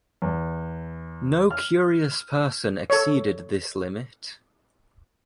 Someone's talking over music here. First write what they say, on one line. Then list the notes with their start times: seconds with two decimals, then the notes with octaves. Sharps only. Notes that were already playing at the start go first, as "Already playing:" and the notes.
No curious person exceeded this limit.
0.22 E2
1.51 F6
2.90 A4 C#5